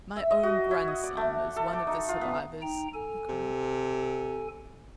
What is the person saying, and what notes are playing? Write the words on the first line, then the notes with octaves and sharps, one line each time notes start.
"My own grandson is one of the survivors," he cried.
E5
D#5
F#4
E4
D#5
D5
A3
A4
D6
D#4
F4
B3
D#4 G5 A#5
A4 G#5
C3